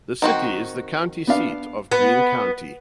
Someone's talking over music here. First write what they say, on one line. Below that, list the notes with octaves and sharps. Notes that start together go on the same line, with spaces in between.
The city is the county seat of Greene County.
D#3 C4 F#4
B3 D4 F5
B3